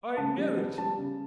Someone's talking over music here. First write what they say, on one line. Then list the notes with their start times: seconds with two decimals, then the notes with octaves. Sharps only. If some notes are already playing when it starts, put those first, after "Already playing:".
'I knew it!
0.17 C#3 A5
0.38 G3
0.57 B3
0.78 G3 A5
0.98 C#3